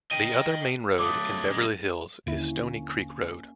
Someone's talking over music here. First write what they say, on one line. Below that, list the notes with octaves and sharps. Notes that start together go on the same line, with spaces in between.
The other main road in Beverly Hills is Stoney Creek Road.
D#5 G5 D#7
F#3 A3 D6 D#6
F#2 G#3
D#2 D3 A#3 C#4 E4